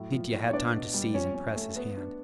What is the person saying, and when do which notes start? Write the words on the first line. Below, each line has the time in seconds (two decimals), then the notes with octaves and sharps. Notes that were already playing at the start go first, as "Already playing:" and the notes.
Mitya had time to seize and press his hand.
Already playing: A2 F#3
0.12 F3
0.33 A2
0.48 C#5
0.53 B3 D4 D5
0.73 B2
0.94 G3
1.14 F3 C#4 C#5
1.34 C#4
1.56 A3
1.76 B3
1.97 D4